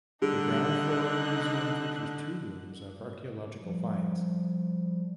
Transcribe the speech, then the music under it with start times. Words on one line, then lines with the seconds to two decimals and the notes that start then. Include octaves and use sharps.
The ground floor of the museum features two rooms of archaeological finds.
0.22 D3 G3 D#4 F#6
3.60 F3 G3